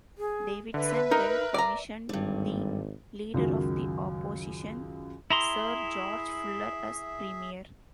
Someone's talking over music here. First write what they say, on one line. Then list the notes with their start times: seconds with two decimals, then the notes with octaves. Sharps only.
Davidson then commissioned the Leader of the Opposition, Sir George Fuller, as Premier.
0.18 G#4
0.74 D3 B4 E5
1.11 D#4 A#4
1.54 D5 A#5
2.09 G#1 G2 D3
3.34 C#2 F#2 D#3 F#3
5.31 E4 G#4 E5 A#5 C6